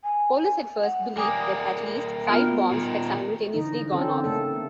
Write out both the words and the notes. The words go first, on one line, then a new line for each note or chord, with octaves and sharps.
Police at first believed that at least five bombs had simultaneously gone off.
G#5
F#5
G3 A#3 G#5 D6 D#6
B3 F4 F#4
A#2 D#3
D3 E3 D#4
D3 C4 C#4 A4
C#3 A3 A#3 A4